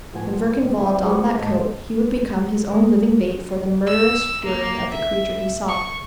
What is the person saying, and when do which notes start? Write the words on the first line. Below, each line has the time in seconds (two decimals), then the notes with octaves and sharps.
When Verkan Vall donned that coat, he would become his own living bait for the murderous fury of the creature he sought.
0.13 A2 F3 B3 F4 F#4 G#5
0.62 D#2 A#2
0.80 C4 D#4 E5 F#5 G#5
1.01 G#3 B3 C4 F4 F#4 G#4
1.37 D#2 G#2 A4 D#5 G#5 A5
2.71 G#3
3.87 E6
4.44 A#3
4.91 E5
5.68 C#6